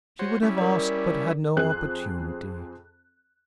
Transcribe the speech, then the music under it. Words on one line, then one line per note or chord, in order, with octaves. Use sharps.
She would have asked, but had no opportunity.
F#4 C5 C#5
G3 C#4 E4
A#4 D5
F2 C4 G#4 F#6